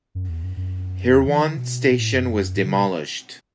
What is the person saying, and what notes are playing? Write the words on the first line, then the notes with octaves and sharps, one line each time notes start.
Hirwaun station was demolished.
F#2
E2
F#2
F#2
E2
E3
D3
B2
B2
A2
F#2
A2
D3
B2